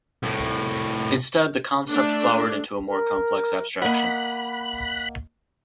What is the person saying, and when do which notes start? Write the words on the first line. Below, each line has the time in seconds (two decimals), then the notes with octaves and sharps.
Instead, the concept flowered into a more complex abstraction.
0.23 C2 A2
1.91 A3 D4
2.86 A#4
3.82 A#3 D#5 F#5 B5 F#6